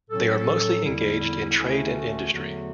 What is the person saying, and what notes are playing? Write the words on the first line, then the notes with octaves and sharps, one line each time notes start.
They are mostly engaged in trade and industry.
A2 F#3 C#4 A4
E2 D3 G3 E4
D2 D3 A3 C#4
F#4
E2 D3 F#3 A3